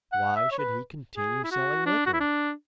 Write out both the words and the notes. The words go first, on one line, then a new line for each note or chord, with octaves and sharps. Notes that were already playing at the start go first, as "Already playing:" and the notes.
Why should he continue selling liquor?
F#5
E5
C#5
B4
G#4
E4
F#4
D4
F#4
E4
D4